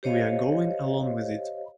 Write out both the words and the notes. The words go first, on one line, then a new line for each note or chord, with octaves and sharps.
We are going along with it.
G4 C5 C#5 D#5 F5